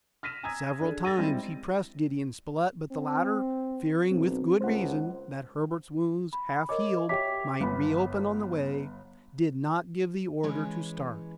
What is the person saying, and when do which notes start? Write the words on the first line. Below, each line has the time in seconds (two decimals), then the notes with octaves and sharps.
Several times he pressed Gideon Spilett, but the latter, fearing, with good reason, that Herbert's wounds, half healed, might reopen on the way, did not give the order to start.
0.23 F6 A#6 B6 D#7 E7
0.43 G#5 A#5 D#6 E6 G#6
0.81 D4 G#4 A4
1.05 E6 A6 A#6 D#7
1.18 G3 G#3 C4 E4
2.91 C4
4.11 B1 C4
4.61 C#2 C5 F#5
6.33 B5
6.69 A#4 C#5 D#5 D6
7.09 G4 C#5 E5 D6 B6
7.60 G1 B3 B5
10.43 E3 G#3 C#4 B4